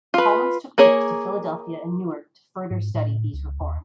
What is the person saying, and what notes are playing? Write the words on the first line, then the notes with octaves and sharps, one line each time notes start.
Collins took trips to Philadelphia and Newark to further study these reforms.
F4 B4
A#3 G#4 C#5
G#2
A2
C#2
D#2